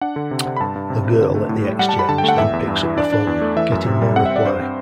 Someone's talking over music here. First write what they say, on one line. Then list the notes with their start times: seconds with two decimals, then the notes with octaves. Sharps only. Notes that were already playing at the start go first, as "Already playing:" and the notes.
The girl at the exchange then picks up the phone, getting no reply.
0.01 D4 F#5
0.16 D3
0.31 C3
0.45 C3
0.57 B5
0.60 G2 A5
0.76 G2
0.90 C3
1.05 C3
1.20 D3
1.35 A3
1.49 A2
1.64 G3
1.79 G3 F#5
1.89 A5
1.94 G3
1.99 B5
2.09 D3 A5
2.18 G5
2.23 A3 F#5
2.38 E2 E5
2.53 E2
2.68 G2
2.83 E3
2.97 D4 D5
3.12 D4
3.27 E2
3.41 A3
3.56 E3 E5
3.72 F#2
3.86 C3
4.01 G3
4.16 C4 F#5
4.26 E5
4.30 C4
4.36 D5
4.46 G2 C5
4.60 C4